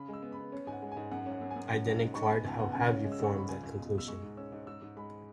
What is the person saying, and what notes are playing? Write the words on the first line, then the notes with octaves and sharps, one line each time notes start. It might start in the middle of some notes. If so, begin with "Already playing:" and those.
I then enquired how have you formed that conclusion.
Already playing: C#3 B5
G#3 E6
B3
B5
B3
C#4
G#2 G#5
F#5
G#3
G#5
G#2
F#2 F#5
C#4
F#5
F#2
G#5
F#2
C#4 F#5
G#2
G#2
G#2 C#6
B5
B3 G#5
C#2
B3 F#5
C#3
C#4
G#3
E6
G#2 C#6
G#2 B5
C#2 G#5
C#2
B2
B2
E6
G#3 C#6
G#2
C#4 E6
G#2
G#2 E6
G#2
G#3 B5